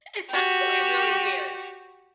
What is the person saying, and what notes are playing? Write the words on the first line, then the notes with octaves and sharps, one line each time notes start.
It's actually really weird.
F#4 G4